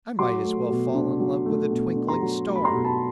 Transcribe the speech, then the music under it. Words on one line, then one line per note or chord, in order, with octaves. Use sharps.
I might as well fall in love with a twinkling star.
F#3 C6 D6
A3
B2
D4
F#3
A3
B2
D4
A#5 C6
F#3
A3
B5
A#5 C6
B2
A5 B5